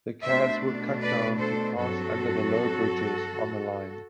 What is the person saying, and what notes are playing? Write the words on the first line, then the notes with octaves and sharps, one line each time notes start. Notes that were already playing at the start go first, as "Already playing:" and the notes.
The cabs were cut down to pass under the low bridges on the line.
B2 A3 D4 C5 E5
B4 D5
A4 C5
G2 F#3 C4 F#4 A4